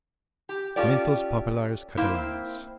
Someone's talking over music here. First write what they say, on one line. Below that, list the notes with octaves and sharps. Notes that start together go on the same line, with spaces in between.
Cuentos Populars Catalans.
G4
C#4 F4 G4 A4 D5
A#3 C4 E4